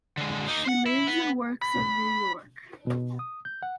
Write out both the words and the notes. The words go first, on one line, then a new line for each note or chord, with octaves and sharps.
She lives and works in New York.
D3 G#3
A#3 D#4
C5 F#5
E4
B3
B5
B2
D#6
G6
F#5